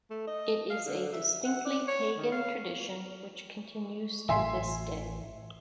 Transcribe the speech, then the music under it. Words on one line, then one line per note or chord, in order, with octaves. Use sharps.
It is a distinctly Pagan tradition which continues to this day.
A3
D#5
F5
D3
E5
F#5
D5
C#5
D#3
F5
A1 E5 G#5 C6